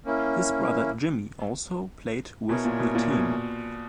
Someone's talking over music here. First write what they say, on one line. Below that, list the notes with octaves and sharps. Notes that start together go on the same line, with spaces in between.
His brother Jimmy also played with the team.
A#3 C#4 E4
B2 E4 A#4 C#5 G#5
A#2
B2
A#2
B2